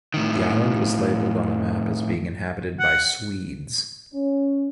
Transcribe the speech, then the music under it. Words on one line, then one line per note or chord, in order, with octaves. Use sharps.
The island was labeled on the map as being inhabited by Swedes.
A2 D#3
F#5
C#4